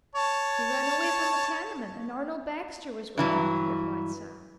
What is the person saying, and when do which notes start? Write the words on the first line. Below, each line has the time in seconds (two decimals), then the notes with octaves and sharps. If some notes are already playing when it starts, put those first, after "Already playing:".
"He ran away from the tenement, and Arnold Baxter was with him," replied Sam.
0.15 C#5 A5
3.18 G2 E3 F#3